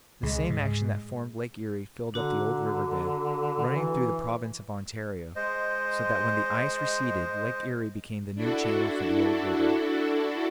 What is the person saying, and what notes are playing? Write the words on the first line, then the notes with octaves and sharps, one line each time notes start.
The same action that formed Lake Erie filled up the old river bed running through the province of Ontario, so that when the ice receded Lake Erie became the new channel for the old river.
C#2 C3 G#3
G#2
D3 D4 F#4 A#5
E3
G#3 C5 D#5
D4 E4 F#4 A4